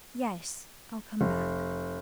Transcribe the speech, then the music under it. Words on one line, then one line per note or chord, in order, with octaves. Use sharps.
"Yes--I'll come back."
F1